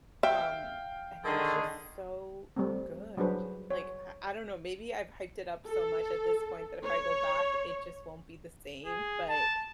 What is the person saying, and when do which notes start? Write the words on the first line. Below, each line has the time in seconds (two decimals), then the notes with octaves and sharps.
um, and it was just so good, like, I I don't know, maybe I've hyped it up so much at this point that if I go back, it just won't be the same, but
0.23 E5 F5 G5
1.25 D3 D#3 G#4
2.57 G3 A3 C4
3.17 F#3 G3 D4 G#4 B4 C5
3.70 C#5
5.66 A4
6.84 C#5
8.86 G#4
9.29 A5